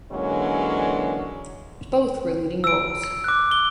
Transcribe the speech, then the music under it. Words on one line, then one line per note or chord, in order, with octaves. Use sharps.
Both were leading roles.
D3 E3 F#3 G#3 A#3 C#4
E6 D7
D6 F#6
G7